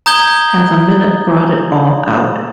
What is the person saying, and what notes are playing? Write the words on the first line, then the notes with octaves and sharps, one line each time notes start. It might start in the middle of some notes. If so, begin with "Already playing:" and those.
Half a minute brought it all out.
A#5 D#6 G6 G#6 G7